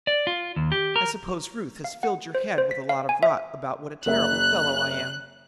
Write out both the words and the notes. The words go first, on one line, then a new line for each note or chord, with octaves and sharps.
I suppose Ruth has filled your head with a lot of rot about what a terrible fellow I am.
D5
F4
D#2
G4
A#4
F5
F#5
C5
C5
B6
F5
G#5
E5
F#1 A#4 E5 F#6